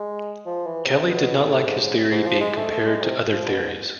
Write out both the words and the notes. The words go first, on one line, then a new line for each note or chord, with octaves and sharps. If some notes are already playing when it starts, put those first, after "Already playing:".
Kelly did not like his theory being compared to other theories.
Already playing: G#3
F3
E3
C3
B2
A2
G#2
G#2
G#2
F3
G#3
A3
A3
G#3
C3
F3
B2
G#2